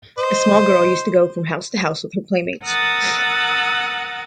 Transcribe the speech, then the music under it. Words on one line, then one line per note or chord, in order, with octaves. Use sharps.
A small girl used to go from house to house with her playmates.
C5 D#5
A#4 F#5 D#6 E6 F#6 A6